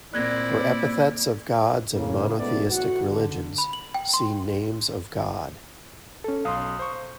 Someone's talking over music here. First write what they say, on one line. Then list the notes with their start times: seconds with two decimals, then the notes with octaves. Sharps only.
For epithets of gods of monotheistic religions, see Names of God.
0.14 A#2 A#3 C4 E4 D5 F#6 G#6 A#6
1.93 A2 C#3 A#3
2.38 G#2 B2 A3 B3 E4 D5
2.70 A1 F#4 F#5
3.08 D3
3.58 B5
3.73 F#7
3.94 G5
4.14 C6
6.24 C#4 A4
6.45 B1 F5 C6 D#6
6.79 C5 C#6